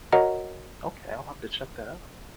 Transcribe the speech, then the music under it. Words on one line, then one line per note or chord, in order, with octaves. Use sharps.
Okay, I'll have to check that out.
F#4 A#4 C#5 D#5 F#5 A#5